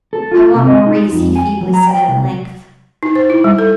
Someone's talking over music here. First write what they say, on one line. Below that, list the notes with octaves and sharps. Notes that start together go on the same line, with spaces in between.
"I want Maurice," he feebly said, at length.
A4
F4
C3
D#5
D#4
F2
G#5
F#3
A#5
G5
C2
D#4
C5
E4
G3
A4